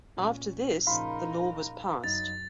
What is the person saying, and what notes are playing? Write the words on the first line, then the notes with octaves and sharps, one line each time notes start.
After this the law was passed.
A#2 C#4
A#2 C#3 F3 D#4 A#4 F5 B5 C6
F#2 D#4 A6